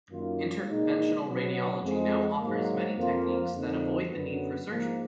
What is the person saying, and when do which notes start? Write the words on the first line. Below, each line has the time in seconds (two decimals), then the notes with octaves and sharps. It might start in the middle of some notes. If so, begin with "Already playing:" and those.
Interventional radiology now offers many techniques that avoid the need for surgery.
0.11 F#2 D#3 A#3 F4
0.69 A#2 G#3 D#4
1.26 B2 F#3 B3
1.83 F2 F3 G#3
2.40 G#2 F#3 A#3
2.97 F2 F3 A#3 F4
3.55 F2 D3 F3 A#3 D#4
4.13 F#2 D3 F#3 B3
4.70 G#2 F3 A#3